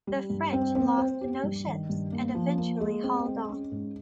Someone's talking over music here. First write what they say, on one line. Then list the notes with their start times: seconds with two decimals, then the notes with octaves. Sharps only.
The French lost no ships and eventually hauled off.
0.07 G3
0.30 G2
0.53 C4
0.75 C4
0.98 C5
1.21 G4
1.43 G2
1.66 D#3
1.89 G2
2.12 A#3
2.35 F3
2.58 A#3
2.80 G#3
3.03 C4
3.25 G#3
3.49 C#4
3.72 G#2